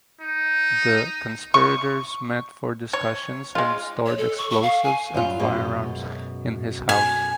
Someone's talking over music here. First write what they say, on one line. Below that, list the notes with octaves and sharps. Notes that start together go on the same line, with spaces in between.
The conspirators met for discussions and stored explosives and firearms in his house.
D#4
C#6
C#5
G#3 F4
C#5
A4
C#6
C#6
F5
G#5
F#2 G3 F4
F#2 B2 G#3
G#5